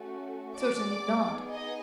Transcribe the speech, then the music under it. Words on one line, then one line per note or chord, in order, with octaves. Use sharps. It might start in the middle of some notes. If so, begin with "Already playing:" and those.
Certainly not.
Already playing: A3 C#4 F#4
D5 D6
B3 D#4 G#4
D#5